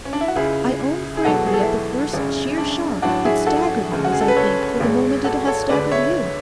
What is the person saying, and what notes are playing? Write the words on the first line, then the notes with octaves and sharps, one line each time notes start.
I own frankly at the first sheer shock it staggered me as I think for the moment it has staggered you.
C#4
D4
E4
F#4
C#2 C#3 G#3 E4 G#4
G#4
E2 B2 F#3 F#4 A4
G#4
A4
E4 G#4
G#1 F#2 C#3 G#3
D4
A1 A2 F#3 D4 F#4
E4 G#4
F#4 A4
D2 C#3 G#3
F#4
G#4
A4
B4
A4 C#5
G#1 G#2 G#3
F#4 A4
A4 C#5
D2 D3 G#3 B4 D5
C#5 E5